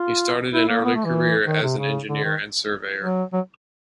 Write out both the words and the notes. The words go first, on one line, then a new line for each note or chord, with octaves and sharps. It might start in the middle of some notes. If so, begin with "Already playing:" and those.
He started an early career as an engineer and surveyor.
Already playing: F4
E4
A#3
B3
A3
E3
D#3
C3
C#3
D3
D#3
F#3
F#3